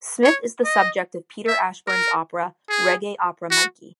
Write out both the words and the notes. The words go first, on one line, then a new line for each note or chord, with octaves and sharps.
Smith is the subject of Peter Ashbourne's opera "Reggae Opera Mikey".
C#5
D#5
E5
A#4
G#4
F#4